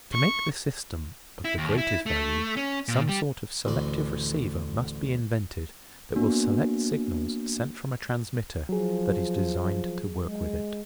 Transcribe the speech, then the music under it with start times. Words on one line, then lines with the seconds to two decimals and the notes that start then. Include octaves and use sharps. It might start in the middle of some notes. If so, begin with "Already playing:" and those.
To make the system of the greatest value some sort of selective receiver must be invented that will select signals sent from a transmitter that is designed to work with it.
0.13 C#6
1.45 E4
1.58 D#2
1.78 E4
2.06 A3
2.56 C#4
2.88 A#2
3.09 G3
3.65 A1 D2 D5
6.16 A#3 B3 D4 F#4
8.69 F3 F#3 G#4
10.25 G#3